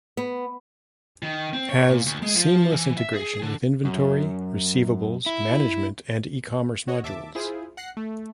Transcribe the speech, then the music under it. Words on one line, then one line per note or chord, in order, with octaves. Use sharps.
Has seamless integration with Inventory, Receivables Management and eCommerce modules.
B3
D#3
C4
C#5
A#2
D2
G#3
F3
E3
E5
G#4
D3
F#2
E4
F#4 C#5 D#5 F#5
D#2 E5 A5 D6
E4 F4 G#4 C5
F#5 F#6 A#6 C7
A3